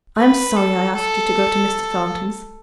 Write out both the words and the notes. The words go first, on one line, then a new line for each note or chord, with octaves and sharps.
'I am sorry I asked you to go to Mr. Thornton's.
B4
A4
A4